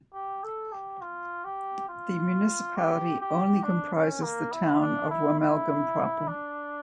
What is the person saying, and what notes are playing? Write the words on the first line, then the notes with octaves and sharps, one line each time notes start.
The municipality only comprises the town of Wommelgem proper.
G4
A4
G4
F4
G4
F4
G4
G4
D4
C#4
A#3
E4
D4
E4
E4
D4